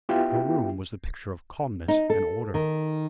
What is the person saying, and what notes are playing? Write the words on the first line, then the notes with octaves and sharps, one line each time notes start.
Her room was the picture of calmness and order.
B3 E4 F4 G4 E5 G5
D#4
A4
D#3